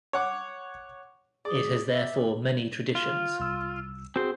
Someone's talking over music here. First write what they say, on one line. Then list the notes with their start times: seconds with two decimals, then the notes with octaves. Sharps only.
It has therefore many traditions.
0.13 C#5 F#5 D6
1.45 G#4 D5
1.93 E5
2.95 F4
3.40 C2 E6
4.16 C4 F#4 G#4 C5